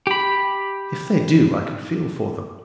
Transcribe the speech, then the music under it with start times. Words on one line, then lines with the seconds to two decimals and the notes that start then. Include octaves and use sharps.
If they do, I can feel for them.
0.07 G4 B5